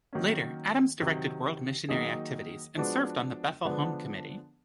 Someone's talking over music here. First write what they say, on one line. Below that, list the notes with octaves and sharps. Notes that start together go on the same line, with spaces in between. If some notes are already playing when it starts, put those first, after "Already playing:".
Later, Adams directed world missionary activities, and served on the "Bethel Home Committee".
D#3 F#3 A#3 C#4
C3 D#3 F#3
D#3 F#3 A#3 D#4 G#4
F3 G#3 B3 D4 F#4
D3 F3 G#3 B3 D4